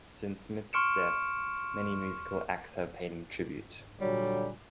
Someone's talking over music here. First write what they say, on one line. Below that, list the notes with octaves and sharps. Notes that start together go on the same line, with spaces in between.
Since Smith's death, many musical acts have paid him tribute.
C6 C#6 F6 C#7 D7 E7
A#2 D3 F#3 G3 G4 C#5